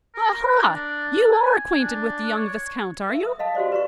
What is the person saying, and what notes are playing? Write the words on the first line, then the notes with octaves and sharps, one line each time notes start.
"Ah, ha, you are acquainted with the young viscount, are you?"
A#4
D4
G#5
D4
C#5
A#4 E5
D#6
D#5 F5 A5
F#4 G4 C5 D5
B4 D5 C#6